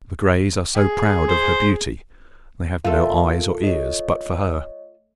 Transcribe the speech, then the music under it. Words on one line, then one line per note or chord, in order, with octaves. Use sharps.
The Greys are so proud of her beauty, they have no eyes or ears but for her.
G#4
C5
A3 F4 A4 A#4 F5
C#5 D#5